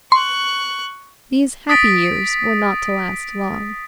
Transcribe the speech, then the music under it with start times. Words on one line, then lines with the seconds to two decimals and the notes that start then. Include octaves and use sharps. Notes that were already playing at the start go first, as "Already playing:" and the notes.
These happy years were not to last long.
0.12 C6 C#6 F#6
1.69 D#6 A6 B6 D7